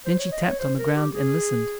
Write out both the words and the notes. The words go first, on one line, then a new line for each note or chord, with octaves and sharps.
Then she tapped on the ground and listened.
C5
C#5
D#5
C#5
C5
A#4
G4
G#4